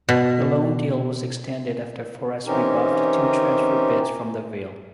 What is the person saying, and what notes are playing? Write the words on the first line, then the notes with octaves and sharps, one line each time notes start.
The loan deal was extended after Forest rebuffed two transfer bids from the Vale.
B2
E3 C4 C#4 D#4 G4 A#4